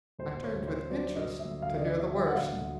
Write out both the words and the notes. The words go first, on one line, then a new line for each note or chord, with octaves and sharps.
I turned with interest to hear the worst.
D2 C5
D2
C#5
D2
C5
D2
F#3 D5
D3
D#5
F#3
E5
D2
D2 F5
D5
D3 D#5
D3 E5
F#3 E5
F#5
D2 F5
D2